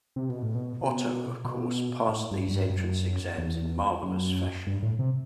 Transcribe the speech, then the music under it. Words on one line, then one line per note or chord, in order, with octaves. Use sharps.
Otto, of course, passed these entrance exams in marvelous fashion.
C3
B2
A2
B2
B2
B2
A2
G2
F#2
G2
G2
F#2
E2
F#2
G2
A2
C3